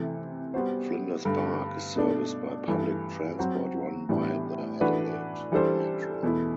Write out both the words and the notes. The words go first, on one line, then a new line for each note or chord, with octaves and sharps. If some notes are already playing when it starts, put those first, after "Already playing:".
Flinders Park is serviced by public transport run by the Adelaide Metro.
Already playing: C3 E3 A3
G3 B3 F#4 C5
G2 D3 A3
B2 A3 D4
G2 E3 A3
F#3 C4 F#4 C5
A2 E3 G3 B3 D4
E3 A3 D4 F#4 B4
E3 G3 D4 A4 C5
E2 B2 A3 E4